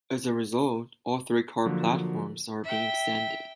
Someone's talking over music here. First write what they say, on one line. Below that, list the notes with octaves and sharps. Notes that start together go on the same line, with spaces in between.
As a result, all three-car platforms are being extended.
D3 F3 F#3 A#3
E5 G5